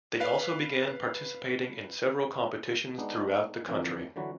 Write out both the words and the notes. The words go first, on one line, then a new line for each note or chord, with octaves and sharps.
They also began participating in several competitions throughout the country.
B4 F5
G#3 B3 D4 D#4
F2 D3 E3 F3 A#3
D3 E3 F#3 F#4 B4